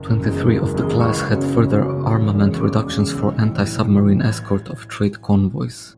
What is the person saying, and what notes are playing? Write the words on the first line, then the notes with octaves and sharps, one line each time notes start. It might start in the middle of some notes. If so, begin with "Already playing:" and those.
Twenty-three of the class had further armament reductions for anti-submarine escort of trade convoys.
Already playing: F#1
F#2 E3 G#3
F#1
F#2 E3 G#3
C#2 C#6
C#3 F#3 C#4
C#2
C#3 F#3 C#4
E1
E2 C#3 G#3 C#4
C#6
E1 D6
E2 C#3 G#3 C#4
B1 E6
A2 E3
B1
A2 E3
G#6